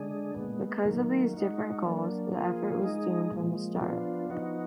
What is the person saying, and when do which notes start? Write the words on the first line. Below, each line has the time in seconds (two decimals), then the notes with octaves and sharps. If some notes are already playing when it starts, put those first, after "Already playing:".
Because of these different goals, the effort was doomed from the start.
Already playing: D3 G#3 D4 G#4
0.35 A#2 G#3 B3
0.84 D#3 F#3 A#3
1.34 G#3 D#4 F#4
1.83 F#3 A#3 D4
2.32 F3 A#3 F4 G#4
2.82 G#3 D#4 G#4
3.31 A#2 F3 G#3
3.80 F3 B3 D4 F4
4.30 F3 B3 D#4 F#4